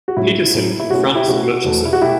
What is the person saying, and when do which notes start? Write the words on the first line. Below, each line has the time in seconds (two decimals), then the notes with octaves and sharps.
Petersen confronts Murchison.
0.08 F#4
0.17 A2 F#3 C#4 E4
0.54 A2 F#3 C#4
0.80 E4
0.90 B2 A3 C#4 F#4
1.03 F#4
1.16 E4 G4
1.28 B2 A3 C#4 F#4
1.64 E2 B2 A3
1.85 E4
1.93 F#4
2.01 B2 A3 E4 G4